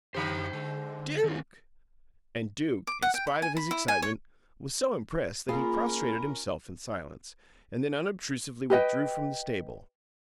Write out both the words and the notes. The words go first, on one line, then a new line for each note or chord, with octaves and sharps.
"DUKE!" And Duke, in spite of his excitement, was so impressed that he prostrated himself in silence, and then unobtrusively withdrew from the stable.
F#2 D3 G4 C5 B5
D3 G#3
D#3 B3 C#4
D6
F#5
G5
B5
G#5
B5
E4
G#5
C#5
A#3 C#4 F4 G#4 A#4 B5
G4 B4 D#5 G5